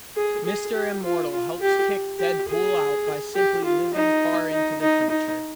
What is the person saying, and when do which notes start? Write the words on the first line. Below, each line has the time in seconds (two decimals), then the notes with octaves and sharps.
Mr. Immortal helps kick Deadpool out by simply living far into the future.
0.16 G#4
0.45 G#4
0.74 G4
1.03 F4
1.32 F4
1.61 G4
2.19 G4
2.49 G#4
3.35 G4
3.64 F4
3.94 D#4
4.52 D#4
4.81 D#4
5.10 D#4